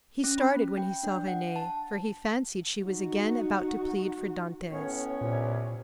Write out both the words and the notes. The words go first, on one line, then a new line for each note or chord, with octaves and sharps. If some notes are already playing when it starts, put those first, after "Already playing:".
He started when he saw Renee, for he fancied she was again about to plead for Dantes.
C#4
B5
G5
D4
F#5
A5
D#4 F#4
A2 B3 C#4 C#5
C2 A#2